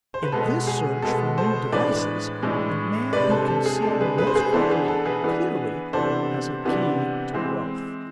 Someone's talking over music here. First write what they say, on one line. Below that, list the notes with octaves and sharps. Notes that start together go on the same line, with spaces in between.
In this search for new devices the man who can see most quickly and clearly has a key to wealth.
C5
B4
B2 G#3 B3 A4
G#4
B2 G#3 B3 A4
A4 C5
A2 E3 G#3 D4 B4 D5
A2 E3 G#3 D4
C3 G#3 D4 B4 D5
A4 C5
A4
G#4
C3 G#3 D4 A4
G#4 B4
G#4 B4
C5
G#4 B4
E3 B3 D4 A4 C5
G#4 B4
A4
G#4 B4
E3 B3 D4
C3 E3 B3 D4 A4 C5
C3 E3 B3 D4
E3 G#3 C4